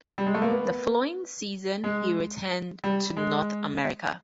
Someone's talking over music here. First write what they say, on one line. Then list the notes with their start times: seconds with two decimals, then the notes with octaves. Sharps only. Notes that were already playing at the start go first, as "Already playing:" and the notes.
The following season he returned to North America.
0.18 G3
0.26 G#3
0.34 A3
0.42 A#3
0.50 B3
1.84 G#3
2.84 G3
3.17 G#3